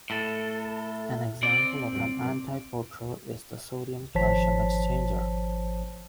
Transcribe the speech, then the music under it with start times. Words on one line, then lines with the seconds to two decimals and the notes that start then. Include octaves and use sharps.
An example of an antiporter is the sodium-calcium exchanger.
0.10 A2 A4
1.43 C4 D5
4.15 G#1 F3 C5 C#5 A5 B6